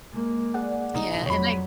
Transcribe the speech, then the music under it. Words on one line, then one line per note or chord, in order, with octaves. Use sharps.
yeah, and I
G#3 A#3
G#4 D5 F#5
D#4
F2 F#3 C#5 B5